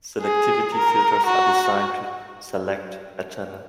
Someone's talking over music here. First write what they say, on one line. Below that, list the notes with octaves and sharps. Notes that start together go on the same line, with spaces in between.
Selectivity filters are designed to "select" a channel.
G#4
A#4
F#4